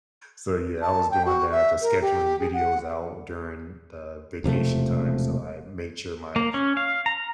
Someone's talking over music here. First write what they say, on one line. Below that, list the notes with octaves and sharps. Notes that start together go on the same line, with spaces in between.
So, yeah, I was doing that, to scheduling videos out during the vacation time. So I made sure my
A5
G5
F#4
E5
A#4
G4
G#4
F#5
E1 C3 F3 A3
A#3
C#4
F5
A#5